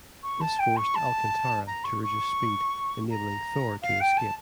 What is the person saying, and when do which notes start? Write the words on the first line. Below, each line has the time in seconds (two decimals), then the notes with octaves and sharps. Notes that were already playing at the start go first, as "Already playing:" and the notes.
This forced "Alcantara" to reduce speed, enabling "Thor" to escape.
0.23 C#6
0.40 A5
0.59 G5
0.76 C#6
0.95 A5
1.66 A#5
1.84 C#6
2.02 C#6
3.10 A#5
3.82 F5
4.00 G5
4.17 A5